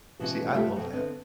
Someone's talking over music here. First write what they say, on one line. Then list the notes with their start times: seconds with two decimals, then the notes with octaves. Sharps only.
See, I love that.
0.20 B2 E3 C#4 F4 F#4
0.54 C3 A3 F4 G4 A4 E5
0.76 F2 B2
0.93 D3 B3 C4